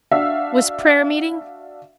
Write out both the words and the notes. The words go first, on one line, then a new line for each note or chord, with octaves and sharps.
"Was prayer-meeting?"
D4 F#4 E5 F5